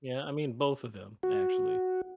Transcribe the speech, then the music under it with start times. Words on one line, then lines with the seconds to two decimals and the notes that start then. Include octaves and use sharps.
Yeah, I mean both of them actually.
1.23 F#4